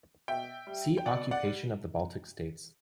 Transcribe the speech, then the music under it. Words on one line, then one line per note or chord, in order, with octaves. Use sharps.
See Occupation of the Baltic states.
B2 E5 G5
G3
G5
B2 D5 F#5
D5 F#5
G3